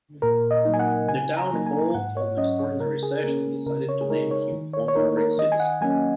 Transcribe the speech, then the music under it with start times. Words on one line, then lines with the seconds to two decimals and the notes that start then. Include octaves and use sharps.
The Town Hall called an extraordinary session and decided to name him Honorary Citizen.
0.22 A#2 A#4
0.51 D#5
0.65 F#3 A#3 D#4
0.74 G#5
0.79 F#5
1.08 C#3 G#5
1.37 A#5
1.52 F#3 A#3 D#4
1.67 G#5
1.95 G#2 F#5
2.17 C#5
2.37 F#3 C#4 D#5
2.59 C#5
2.80 C#3 A#4
3.03 G#4
3.23 A#3 C#4 A#4
3.66 C#3 A#4
3.89 C#5
4.01 G#4
4.09 G#3 D#4 A#4
4.31 C#5
4.52 D#3
4.73 C#5
4.88 C#5
4.95 A#3 D#4 A#4
5.09 C#5
5.17 A#4
5.38 D#3 D#5
5.52 G#5
5.60 F#5
5.81 F#3 A#3 C#4 G#5